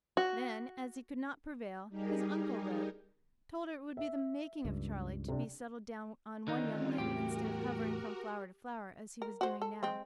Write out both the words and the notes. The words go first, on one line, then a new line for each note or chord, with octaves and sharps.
Then, as he could not prevail, his uncle wrote, told her it would be the making of Charley to be settled down on one young lady instead of hovering from flower to flower, as he was doing now.
F#4
G3 D#4 G4 G#4 A#4
E5
C#2 G2
C3 D4
D3 D#3 C4 C#4 D#4 F4
E2 A2 F#4 G4 A#4
A#4
F#4 C5
A4
G#3 C4